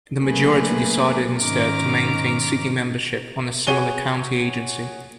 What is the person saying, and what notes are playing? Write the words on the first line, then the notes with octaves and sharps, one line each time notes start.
The majority decided instead to maintain city membership on a similar county agency.
F#3 A3 A#3 G#4 B4
G#2 D#3 C#4 A#5 D6 F6
F#4 G#4 C#5 D#7 G7